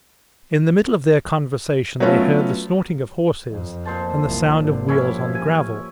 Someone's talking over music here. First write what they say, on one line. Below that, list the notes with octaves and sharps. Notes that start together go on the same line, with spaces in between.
In the middle of their conversation they heard the snorting of horses and the sound of wheels on the gravel.
F#3 A3 B3 C#4 F4
F2
A#2 C5 A5
C2 F3
G#1 D3
F3 G3 C#4 E4
G#5